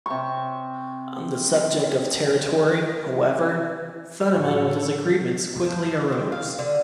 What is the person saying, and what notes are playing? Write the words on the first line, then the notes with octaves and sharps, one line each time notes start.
On the subject of territory, however, fundamental disagreements quickly arose.
C3 C#6
A2 F#4 A4 C#5
F3
C4
F5
D3